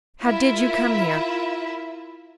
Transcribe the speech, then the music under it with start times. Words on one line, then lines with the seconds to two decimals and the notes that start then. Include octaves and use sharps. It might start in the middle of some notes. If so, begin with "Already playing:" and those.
How did you come here?
0.22 E4 F4 A#4 E5 B5